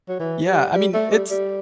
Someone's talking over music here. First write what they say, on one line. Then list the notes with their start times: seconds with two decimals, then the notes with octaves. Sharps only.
Yeah, I mean, it's
0.09 F#3
0.20 E3
0.48 G3
0.75 G3
0.94 A3
1.11 G3
1.31 G3